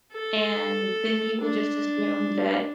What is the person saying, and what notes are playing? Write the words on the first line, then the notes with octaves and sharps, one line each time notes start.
and then people, just, assume that
A4
D4